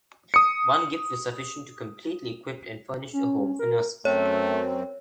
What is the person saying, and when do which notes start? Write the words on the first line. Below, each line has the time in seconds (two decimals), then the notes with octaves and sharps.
One gift was sufficient to completely equip and furnish a home for nurses.
0.34 D#6 C#7
3.13 C#4
3.59 A#4
4.05 F#2 A3 C4 C#5